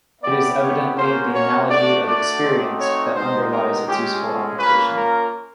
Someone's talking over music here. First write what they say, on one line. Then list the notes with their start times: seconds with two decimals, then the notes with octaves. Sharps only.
It is evidently the "analogy of experience" that underlies its useful application.
0.22 B3 E4 G4 D5
0.59 C#5
0.94 A#3 C#4 F#4 C5
1.31 C#5
1.67 A3 D4 F#4 D5
2.04 D5
2.40 A3 C4 D#4 F#4
2.76 C#5
3.13 G#3 B3 D#4 G4 C5
3.50 A#4
3.85 G#3 C#4 F4 G4
4.22 A4
4.58 A#3 C#4 F4 B4
4.95 A#4